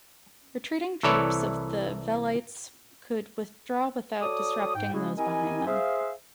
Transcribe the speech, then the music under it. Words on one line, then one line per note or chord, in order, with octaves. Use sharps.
Retreating troops of the "velites" could withdraw without disrupting those behind them.
C2 E3 A4 C#5 D5
F#4 A4 C#5 D5 D#6
G#2 G5
C#3 G#3 C#4 E4 F#4 G#4
C4 E4 G4 A#4 D#5 G#5
G#4 C5 E5 F5